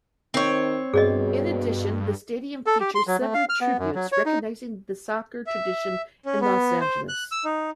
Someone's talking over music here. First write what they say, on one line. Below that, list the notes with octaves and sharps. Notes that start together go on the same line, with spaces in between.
In addition, the stadium features several tributes recognizing the soccer tradition in Los Angeles.
D#3 C4 C#5
G2 B2 G#4 D5 D#5
A4
G4
C6
F#3
A3
F5
F6
B3
F#2
F#3
C#5
D#4
E5
C#4
B3
C5
F#6
E6
D#4